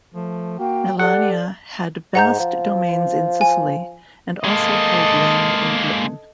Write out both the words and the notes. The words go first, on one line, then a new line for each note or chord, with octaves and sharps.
Melania had "vast domains in Sicily" and also held land in Britain.
F3 A3
A#3 F#4 G5
G4 A4 D5 F#5
G#2 F#5 A#5 G6
F3
G#5
G#3 A#3 A4 D#5